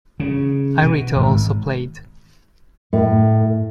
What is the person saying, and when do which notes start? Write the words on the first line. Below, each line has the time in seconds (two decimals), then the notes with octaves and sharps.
Irito also played.
0.20 C#3
0.82 B2
1.16 G#1
2.93 A2